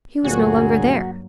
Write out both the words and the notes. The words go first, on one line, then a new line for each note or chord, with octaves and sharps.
He was no longer there.
D2 G2 A#2 F#3 A#3 F#4 G#4